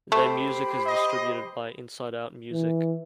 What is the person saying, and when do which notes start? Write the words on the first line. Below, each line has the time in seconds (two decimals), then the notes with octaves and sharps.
Their music is distributed by Inside Out Music.
0.12 A3 G4 C5 B5
0.86 D#5
2.51 E3